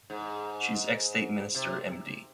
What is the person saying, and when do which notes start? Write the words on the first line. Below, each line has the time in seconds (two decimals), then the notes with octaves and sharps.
She is ex state minister Md.
0.10 G#2
1.55 C3